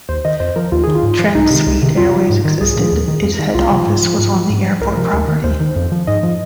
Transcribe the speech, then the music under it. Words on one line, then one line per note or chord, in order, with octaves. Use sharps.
Transwede Airways existed, its head office was on the airport property.
D#2 C5
D#3 D#5
F2 C5
F3 A#4
D#2 F4
D#3 G#4
F4
G#2
F3
C2 D#4
C3 D#3
C2
C3 D#3
F2 F4
F3
G#2
D#3
C2 G#4
A#2 F3
D#2
D#3
F2
D#3
C2 F4
C3 F3
G#2
F3
G#2
F3
G#2
F3
C2 A#4
C3 F3
D#2
D#3
D#2 C5
D#3
F2
F3
G#2 D#5
F3